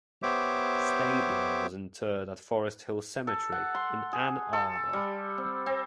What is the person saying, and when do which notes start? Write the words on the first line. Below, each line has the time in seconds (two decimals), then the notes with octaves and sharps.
Staebler was interred at Forest Hill Cemetery in Ann Arbor.
0.23 B3 G4 C5 C#5 E5 D6
3.27 A4
3.52 F#5
3.75 C6
4.13 G#4
4.53 A4
4.93 G3
5.38 C4
5.66 C4